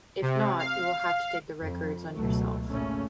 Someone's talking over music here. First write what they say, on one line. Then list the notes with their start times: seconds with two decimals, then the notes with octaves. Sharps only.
If not, you'll have to take the records on yourself.
0.22 C3
0.59 F5
1.61 F2
2.14 C#2 B2 F#3 A3
2.69 G#1 A#2 C#3 A3 C#4